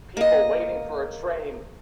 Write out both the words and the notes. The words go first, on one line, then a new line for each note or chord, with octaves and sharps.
People waiting for a train.
A#3 D#5